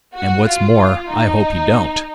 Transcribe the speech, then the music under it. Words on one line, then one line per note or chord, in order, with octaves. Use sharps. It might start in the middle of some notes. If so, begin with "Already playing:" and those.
"And what's more, I hope you don't."
F#4
F4
D#4